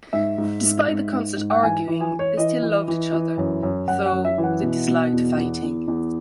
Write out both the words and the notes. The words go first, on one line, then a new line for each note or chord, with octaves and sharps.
Despite the constant arguing, they still loved each other, though they disliked fighting.
G#2 E5
G#2
G#2
G#2
G#2
G#2
F#5
E3 G#5
E3
G#5
E3
C#5
E3 D#5
E3
E3
E3
F#2
F#2
F#2 F#5
F#5
F#2
E5
E3
F#5
B2
B2
E2
E2
E2
E2